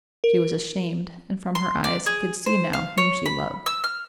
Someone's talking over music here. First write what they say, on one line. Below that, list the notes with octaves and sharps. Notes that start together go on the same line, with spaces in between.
She was ashamed, and from her eyes he could see now whom she loved.
A#4
C6
D5
G#4
C5
F5
C#5
B5
E6
F6